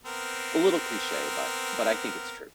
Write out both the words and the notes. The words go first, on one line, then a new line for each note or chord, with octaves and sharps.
a little cliche, but but I think it's true.
B3 C4 A#4